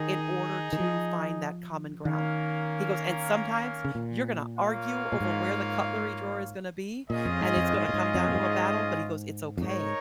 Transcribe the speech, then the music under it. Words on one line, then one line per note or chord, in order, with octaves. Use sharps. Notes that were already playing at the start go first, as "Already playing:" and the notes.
in order to find that common ground." He goes, "And sometimes, you're gonna argue over where the cutlery drawer is gonna be, and it's gonna come down to a battle," but he goes, "It's okay,
Already playing: D#3 D#4 G#4 D#5
D#3
F3
D#3 A#3 C#4 A#4 F5
C#3
A#2
A#3 F4 C#5 F5
A#2
G#2
A#2 C#4 F4 G#4 D#5
F2
G#2
F2
G#2
A#2
G#2
F2
A#2
G#2
F2
G#2 D#4 A#4 C#5